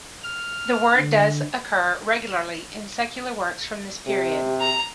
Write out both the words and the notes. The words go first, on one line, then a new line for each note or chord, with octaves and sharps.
The word does occur regularly in secular works from this period.
F6
D3
C3 G4
A#5